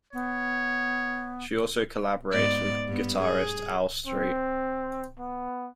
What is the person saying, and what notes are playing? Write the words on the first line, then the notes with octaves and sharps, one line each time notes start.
She also collaborates with guitarist Al Street.
B3 C#5
G#2 B3 D5
G2 B3
G#4
C4
B3